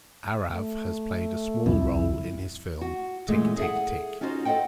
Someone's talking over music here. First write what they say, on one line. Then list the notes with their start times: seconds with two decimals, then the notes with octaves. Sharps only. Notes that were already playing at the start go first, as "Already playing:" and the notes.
Aarav has played a small role in his film, "Tik Tik Tik".
0.52 A3
1.66 D1 C2 F2 E4
2.81 F#4
3.28 F#2 A#2 E3 G#3 A3
3.57 G#4 A4 D#5 E5 F#5
4.21 C#4 D#4 F4 F#4 B4 C5
4.45 A4 C5 D5 D#5 F#5 G5